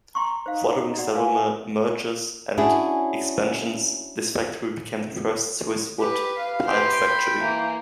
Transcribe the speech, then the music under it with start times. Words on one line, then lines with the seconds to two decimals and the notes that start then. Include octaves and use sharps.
Following several mergers and expansions, this factory became the first Swiss wood pulp factory.
0.15 G5 A#5 C6 C#6
0.46 D#4 C5 F5
0.98 F#4 D5 F#5
1.15 B4 F5 G#5
2.57 C#4 D4 E4 F#4 G#4
6.00 G4 B4
6.38 F5
6.69 G4 B4 G5 C6
7.05 B5
7.39 E3 A#3